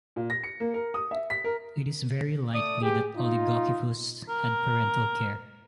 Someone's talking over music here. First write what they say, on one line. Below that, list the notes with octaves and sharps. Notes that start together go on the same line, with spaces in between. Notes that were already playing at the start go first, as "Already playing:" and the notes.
It is very likely that "Oligokyphus" had parental care.
A#2
A#6
C#7
A#3
A#4
D#6
E5
B6
A#4
A3 D5 D#6
B3 G4 G#4
D#4 F4
A#4